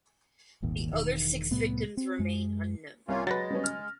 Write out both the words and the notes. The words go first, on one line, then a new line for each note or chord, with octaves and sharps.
The other six victims remain unknown.
D#1 G#1 D#2
E1 D#3
C2 A2 B3
C4
F#2 G#3
C2 A#3 C#4 F4
F#3 G#3 B4 A6 A#6
G3 B3 C#4
F6